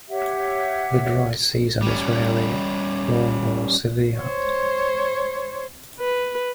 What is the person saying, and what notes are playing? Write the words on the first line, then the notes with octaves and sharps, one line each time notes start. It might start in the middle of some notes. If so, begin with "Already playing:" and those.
The dry season is rarely long or severe.
G4 C#5 E5 F#5
G3 C#4
C5 C#5
B4